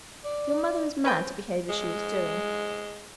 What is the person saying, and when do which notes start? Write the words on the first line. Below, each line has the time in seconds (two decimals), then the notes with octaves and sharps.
Your mother is mad to behave as she is doing.
0.24 D5
1.05 C4 C#4 B4 G5
1.69 G#3